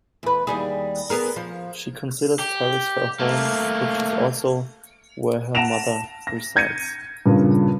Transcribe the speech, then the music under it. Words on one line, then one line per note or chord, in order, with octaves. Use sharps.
She considers Paris her home, which is also where her mother resides.
E2 B4
D#2 G3 G#4
B3 G#4 A#4
F3
G4
A3 A#3
F#5 A5 A#6 D7 E7 F7
A#6
G6 G#6 A#6 C#7 D#7
G2 A#2 C#3